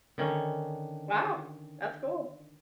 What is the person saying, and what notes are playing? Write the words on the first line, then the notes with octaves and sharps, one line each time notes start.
Wow, that's cool.
D3 D#3 C#4